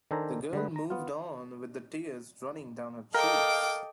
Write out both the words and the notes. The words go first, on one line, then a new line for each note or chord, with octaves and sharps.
The girl moved on with the tears running down her cheeks.
D#3 D4 A4 C5 G#5 A#5
D3 G3 B4
A#5
B3 F4
A4 A#4 D#5 F5 G5 D6